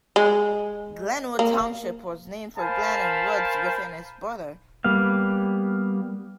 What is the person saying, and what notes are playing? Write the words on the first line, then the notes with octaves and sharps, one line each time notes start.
Glenwood Township was named for the glen and woods within its borders.
G#3
A#3
A#4 C5 F5 G#5 A5 B5
G3 A#3 B3 F5